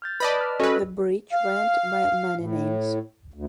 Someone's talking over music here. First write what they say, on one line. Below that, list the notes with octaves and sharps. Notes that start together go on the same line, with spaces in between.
The bridge went by many names.
F6 G6 A6
B4 D5 D#5 A5 B5
F6
C#4 F#4 A4 B4 D#5
F5
A2
D2